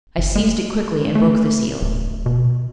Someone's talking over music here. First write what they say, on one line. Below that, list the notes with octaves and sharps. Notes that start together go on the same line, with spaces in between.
I seized it quickly, and broke the seal.
F#1
G#3
A3
D1
B2